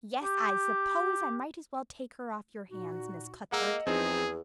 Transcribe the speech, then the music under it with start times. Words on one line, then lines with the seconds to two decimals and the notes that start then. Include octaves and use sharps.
Yes, I suppose I might as well take her off your hands, Miss Cuthbert.
0.24 G4
2.70 A#2 D#4 F#4
3.52 G#3 A#3 D#5 F#5 A#5 E6
3.87 E2 F3 C4 D#4 G#4